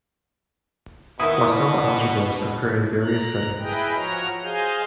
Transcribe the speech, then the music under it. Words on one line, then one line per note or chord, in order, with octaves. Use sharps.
Poisson algebras occur in various settings.
B2 D#3 B3 E4 D#6
A#5 F#6
E4 G#4 B4 D#5 G5
F3 F#4 C#5 A#5 F6
G#4 C5 D#5 F5 G#5 G6